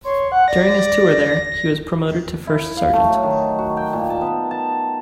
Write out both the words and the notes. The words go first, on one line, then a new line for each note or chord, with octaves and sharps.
During his tour there, he was promoted to first sergeant.
C#5 C6
F#5
D5 A#6
E4
F5
A3
F#3
D#3
F#4
G5
A#2
A5
B3
A5